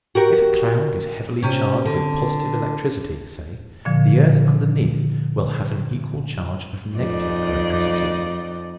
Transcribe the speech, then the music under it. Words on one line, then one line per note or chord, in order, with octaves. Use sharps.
If a cloud is heavily charged with positive electricity, say, the earth underneath will have an equal charge of negative electricity.
F#4 G4 A#4
C3 C#4
D3
A#2 D3 F3
F2 D#4 D5